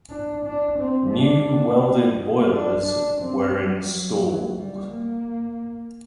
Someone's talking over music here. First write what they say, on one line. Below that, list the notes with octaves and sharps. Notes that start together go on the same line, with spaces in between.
New welded boilers were installed.
D4
D4
C4
D4
D#4
D4
D4
C4
G3
F#3
F#3
G3
A#3